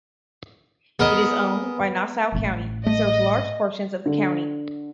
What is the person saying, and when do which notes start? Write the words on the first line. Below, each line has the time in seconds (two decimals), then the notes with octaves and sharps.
It is owned by Nassau County and serves large portions of the county.
0.99 B3 G#4 A#4 D#5
2.32 A1 A2
2.86 A3 D#5
4.06 D3